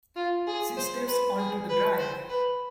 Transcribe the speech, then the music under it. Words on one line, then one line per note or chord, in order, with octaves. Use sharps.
She steps on to the drive.
F4
G#4
C5
B4
G#4
B4
C5
B4